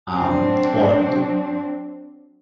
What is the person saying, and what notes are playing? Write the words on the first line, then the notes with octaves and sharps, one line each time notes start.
Um, well, D
F#3 C4 D4